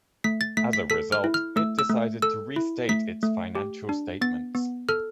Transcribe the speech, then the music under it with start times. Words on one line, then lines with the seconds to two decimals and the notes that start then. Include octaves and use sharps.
As a result, it decided to restate its financial statements.
0.24 A3 B6
0.41 A6
0.57 A3 B6
0.73 B6
0.90 A4 B6
1.12 F6
1.24 E4
1.34 F6
1.56 A3 E6
1.79 E6
1.90 A3
2.22 A4 E6
2.56 E4
2.89 A3 B6
3.23 A3
3.55 G4
3.89 D4
4.21 B3 A6
4.55 B3
4.89 A4 F6